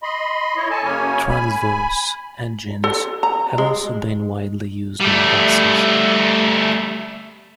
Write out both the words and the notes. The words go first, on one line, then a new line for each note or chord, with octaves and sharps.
Transverse engines have also been widely used in buses.
D#5 B5 C6
E4 C#5 D#5
A4 G#5 A5
F#2 C#3 A#3 C#4 C#5 G#5
G#5 B5
A4
A#5
G#3
G3 A3